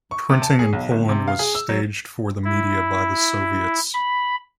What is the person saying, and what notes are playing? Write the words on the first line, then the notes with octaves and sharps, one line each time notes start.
Printing in Poland was staged for the media by the Soviets.
C#6
C3
A5
G#4
B1
G1
C3
F5
G#4
E6
F#3
E4
B5